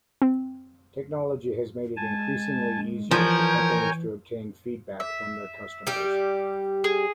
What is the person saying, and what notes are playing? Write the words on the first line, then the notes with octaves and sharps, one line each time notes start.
Technology has made it increasingly easier for companies to obtain feedback from their customers.
C4
G#3 G#5 A5
E3 F3 A#4 C#5 G5 G#5
E5
G3 G4
G#4